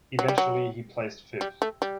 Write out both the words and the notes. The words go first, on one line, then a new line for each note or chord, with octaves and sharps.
Eventually, he placed fifth.
F#3
G3
F#3
G3
A3
G3